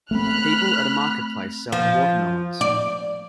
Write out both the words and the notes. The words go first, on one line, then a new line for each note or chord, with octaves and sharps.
People at a marketplace selling watermelons.
A3 A#3 C4 B5 F6 F#6
F3
D5